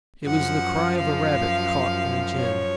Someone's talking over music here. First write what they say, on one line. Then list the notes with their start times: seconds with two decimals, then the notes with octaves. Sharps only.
It was the cry of a rabbit caught in a gin.
0.25 F#2 F3 F#5
0.96 F5
2.39 C#5